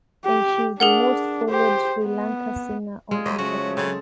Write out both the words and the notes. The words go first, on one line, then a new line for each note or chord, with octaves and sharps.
And she is the most followed Sri Lanka singer on Instagram.
G4
D4 G#4 A#4 F#5
G4 C5
B3
G3 G#3 F4 G#4
D#2 F#3 D#5
C#3 F3 A3 F#4 C#5
C#3 C4 G#4 A4